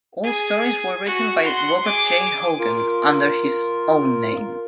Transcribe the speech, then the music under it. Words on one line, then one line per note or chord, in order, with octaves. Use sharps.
All stories were written by Robert J. Hogan, under his own name.
G#4
F#4 F#5
F#5 C6
G#4 D6
F4 A#4